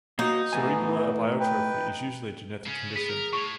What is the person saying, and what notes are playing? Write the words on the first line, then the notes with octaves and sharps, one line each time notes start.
Cerebellar abiotrophy is usually a genetic condition.
A#3 D#4 F#4
A2 E3 B3 G#5
B4 G5
C#3 C#4
B3 G#4 B6
A#4
A2 C#6 F7